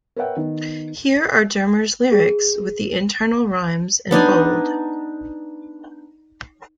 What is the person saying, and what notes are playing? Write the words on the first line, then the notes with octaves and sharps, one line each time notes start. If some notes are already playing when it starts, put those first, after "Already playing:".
Here are Dearmer's lyrics, with the internal rhymes in bold.
A#4 B4 C#5 E5 F#5 G5
D#3 B3
G#4
B3 D4 D#4 G#5